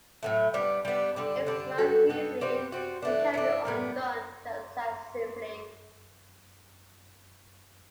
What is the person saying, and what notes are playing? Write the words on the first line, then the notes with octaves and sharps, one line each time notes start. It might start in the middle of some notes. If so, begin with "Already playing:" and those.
It slides easily and can be undone just as simply.
A2 F#3 A3
G3 B3 D4
G3 B3 D4
D3 G3 D4
D3 G3 D4
G3 B3 F#4 A4
G3 B3 F#4 A4
G3 C4 F#4
G3 C4 F#4
E3 A3 D4
E3 A3 D4
A2 G3 B3